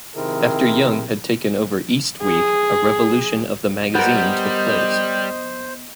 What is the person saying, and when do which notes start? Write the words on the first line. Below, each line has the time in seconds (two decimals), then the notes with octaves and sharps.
After Yeung had taken over "East Week", a revolution of the magazine took place.
0.16 C3 D#3 C4 E4 G#4 A#4
2.22 G#4
3.95 G3 B3 A#4 C5 D#5